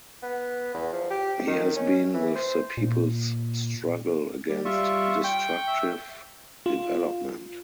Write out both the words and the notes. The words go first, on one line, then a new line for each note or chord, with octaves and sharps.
He has been with the people’s struggle against destructive development.
B3
E2
F3
G4
D#3
C#4
E3
C5
A#2
G3
G3 F4 E5 C#6
G5 C#6
E5
F4